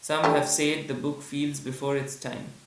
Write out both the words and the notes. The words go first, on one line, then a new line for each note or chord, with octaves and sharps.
Some have said the book "feels before its time".
A3 D4 G4